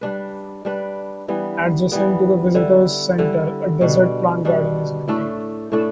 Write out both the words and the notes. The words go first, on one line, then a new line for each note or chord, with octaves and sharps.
Adjacent to the Visitor's Center, a desert plant garden is maintained.
G3 D4 B4
G3 D4 B4
E3 G3 B3
E3 G3 B3
D3 G3 E4
D3 G3 E4
B2 G3 D4
B2 G3 D4
A2 A3 D4 A4
A2 A3 D4 A4